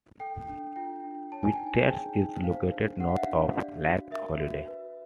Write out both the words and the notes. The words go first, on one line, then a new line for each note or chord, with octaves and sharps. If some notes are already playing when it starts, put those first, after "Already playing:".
Whitacre is located north of Lake Holiday.
A4 G5
D4
F4 G5
D4
C#5 A5
G#5
D#4 G5
G#5
G#4 G5
D#4
C5 F5
D4
G4 F#5
F5
E5
D4 F5
D5
F#4
A#4 E5
F#4
B4